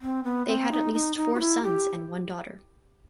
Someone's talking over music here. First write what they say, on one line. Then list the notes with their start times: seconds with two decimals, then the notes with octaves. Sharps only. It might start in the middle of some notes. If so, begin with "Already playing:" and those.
They had at least four sons and one daughter.
0.01 C4
0.24 B3
0.47 C4
0.71 D#4
0.93 D#4
1.16 D#4
1.34 F#4
1.40 E4
1.63 G4